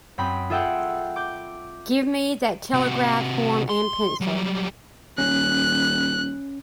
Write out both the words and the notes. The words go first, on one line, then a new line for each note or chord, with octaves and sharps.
Give me that telegraph form and pencil.
F#2 C4 G5 B5 D#6
F4 G#4 A4 E5 F#5 G5
D6 G6
C3 F#4
C6
F#3 G3
D#1 C#4 F#6